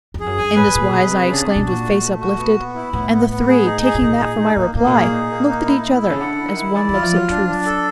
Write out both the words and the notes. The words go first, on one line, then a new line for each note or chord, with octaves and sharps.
In this wise I exclaimed with face uplifted; And the three, taking that for my reply, Looked at each other, as one looks at truth.
F2
G#4
F#2
G2 G#5
A2 B4
A2
A#2 G#4
B2 B4
C3 G#4
C#3 D4
C3 D4
B2
A#2 F#4
A3
A3
F#4
B3
B3
E4
A2 B3
B3
B3
G#4
D#4
G#4
A2
A#2 D#4
G#4
D#4
A2 A#3
A2 A#3
B2
A#2 G#4
D#4
A#3
D#4
E4
E4
A4
C#3
D3 F#5
E4
D#3
E4
E3 D5
E3 F4
F3
F#3 F4
F#3 D4
D4
A4